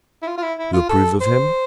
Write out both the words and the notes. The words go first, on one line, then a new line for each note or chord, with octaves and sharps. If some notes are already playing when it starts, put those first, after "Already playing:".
"You approve of him?"
E4
F4
F4
E4
E4
F4
A4
C5